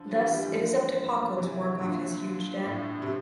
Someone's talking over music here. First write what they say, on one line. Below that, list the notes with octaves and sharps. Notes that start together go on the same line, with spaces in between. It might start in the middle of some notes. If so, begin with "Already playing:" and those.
Thus, it is up to Pockle to work off his huge debt.
Already playing: D3 F3
E3 G3
E3 G3
E3 G3
D3 F3
C3 E3
A#2 D3
A2
C3